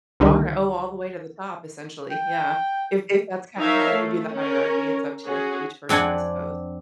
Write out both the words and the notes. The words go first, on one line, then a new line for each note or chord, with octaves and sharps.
Alrigh oh, all the way to the top, essentially, yeah. If if that's kinda how you do the hierarchy, it's up to each person, I suppose.
C#2 D3 D#3 G3
G5
D#4 A#4 C#5 E5 F5
A3
C#4 A#4
C#4 F#4 G#4
F2 C4 D4 F#5 G#5